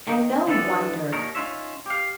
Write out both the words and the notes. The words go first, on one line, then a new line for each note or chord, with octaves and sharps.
And no wonder!
D#3 D#4
D3 E3 G3 B3 D4 A4
D#2 A#2 D#4 A#4 C#5
C#4 D#4 F4 C#5 E5
G4 F5